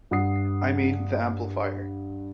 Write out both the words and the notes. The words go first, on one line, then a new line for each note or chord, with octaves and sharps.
I mean, the amplifier.
G2 F#5 D#6 C7